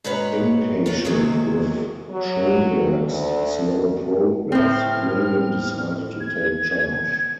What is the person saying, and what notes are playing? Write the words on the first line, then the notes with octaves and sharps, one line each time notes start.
Impatient with Schomberg's slow progress, William decided to take charge.
G#2 F#4 B4 C#5 A#5
F4 F#4 C#5
G#2 C3 D#3 F#3 A#3
F#3
D2
A2 C4 F6
G#6